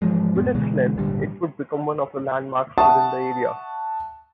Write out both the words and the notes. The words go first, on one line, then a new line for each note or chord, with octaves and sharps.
With its length, it would become one of the landmarks within the area.
G#2 E3 F3 G#3
E1 G#2 B3
D2 B2 E3 G#3
G#1 A#2 D3 G3
E5 F#5 A5 C#6 D#6